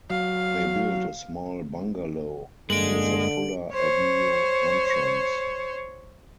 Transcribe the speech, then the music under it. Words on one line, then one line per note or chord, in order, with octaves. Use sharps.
They built a small bungalow near the Fuller Avenue entrance.
F#3 F5
G2 D3 G#3 A#3 D#5 D7 F#7
C5 C#5